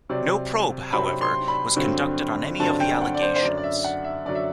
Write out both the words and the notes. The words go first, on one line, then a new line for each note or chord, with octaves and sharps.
No probe, however, was conducted on any of the allegations.
C3 F#3 C4 D5
C3 F#3 C4 B5
C6
B5
G2 D3 F#3 C4
G2 D3 F#3 C4 A5
G5
F#5
D5
C5
C5
F#2 D3 F#3 D5
D5
E5
F#5
E5
F#2 D3 F#3 D5
E5